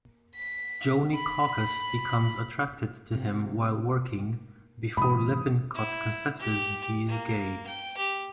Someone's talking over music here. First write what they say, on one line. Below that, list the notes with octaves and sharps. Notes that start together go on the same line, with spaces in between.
Joanie Caucus becomes attracted to him while working before Lippincott confesses he is gay.
B6
B5
C3
G#2 C3 E3 B5 D#6
E4
G4
A#3
G5
G4